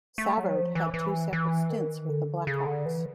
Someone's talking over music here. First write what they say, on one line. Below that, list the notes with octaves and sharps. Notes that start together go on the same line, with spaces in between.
Savard had two separate stints with the Blackhawks.
A3
F#3
F3
E3
E3
E3
D#3
D3
C#3
D3
E3